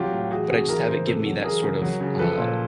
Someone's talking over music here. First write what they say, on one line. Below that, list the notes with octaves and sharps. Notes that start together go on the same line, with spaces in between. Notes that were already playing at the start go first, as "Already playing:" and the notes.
But I just have it give me that sort of, uh,
Already playing: C3 F#3 F4 G4
A2
E3 F#4 G#4
C3 F#4 G#4
E3 G#4 A#4
C#3 A#4 C5
C3 A4 B4
F#3
E3 G#4 A#4
C#3
F#3
C#3
F3 A4 B4
A#2